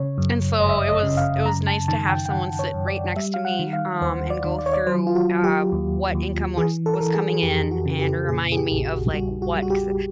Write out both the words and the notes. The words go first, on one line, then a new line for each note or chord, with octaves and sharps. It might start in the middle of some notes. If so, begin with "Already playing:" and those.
and so, it was it was nice to have someone sit right next to me, um, and go through, uh, what income was was coming in and remind me of, like, what 'cause, uh
Already playing: C#3 C#5
F#2
G1 D#5
E5
D#5
D#5
C#3
F5
F#2 A#5
A5
D#3 A5
G5
G5
D#3 F#5
C#5
F#2
D5
G3 E5
F5
F#5
D#3
F5
D#2 C5
D5
D#3
D5
C#5
D5
F#3 C5
F4
F#4
F#3
G4
D#2
D#2
E3 G#4
A4
A#4
E3 A4
G#4
F2 G4
F#4
C#3
G4
A#2 G#4
G#4
G4
A#1
F#4
G3 F#4
F#4
G3
F#4
G4